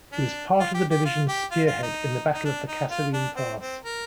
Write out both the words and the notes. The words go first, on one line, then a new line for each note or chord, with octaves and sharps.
It was part of the division's spearhead in the Battle of the Kasserine Pass.
D4
F4
G4
G4
F4
G4
F4
F4
D#4
D#4
D4
D#4
F4
D4
C4
C4
A#4